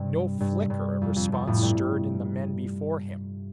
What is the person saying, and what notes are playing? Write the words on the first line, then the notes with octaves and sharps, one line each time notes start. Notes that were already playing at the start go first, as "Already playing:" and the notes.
No flicker of response stirred in the men before him.
Already playing: G2 C3
G2
G2
F2
F2
F2
F2 A2
G2